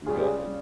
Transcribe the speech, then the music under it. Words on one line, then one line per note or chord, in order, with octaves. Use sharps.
Go ahead.
C#3 G3 C#4 F4 G#4
G4
G#4